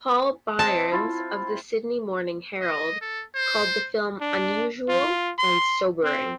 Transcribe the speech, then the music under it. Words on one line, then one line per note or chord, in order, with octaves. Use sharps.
Paul Byrnes of "The Sydney Morning Herald" called the film "unusual" and "sobering".
C4 D#5 G5 A5
E4 F4
D#5
A4
C5
D4
F4
C6
C4